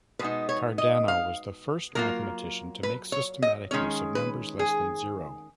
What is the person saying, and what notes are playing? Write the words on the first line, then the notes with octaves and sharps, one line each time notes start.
Cardano was the first mathematician to make systematic use of numbers less than zero.
B2 G#3 B3 D#4 B4
C#5
D#5
F5
F#3 A#3 F4 A#4
B4
C#5
D#5
D#3 G#3 C#4 C#5
B4
G#4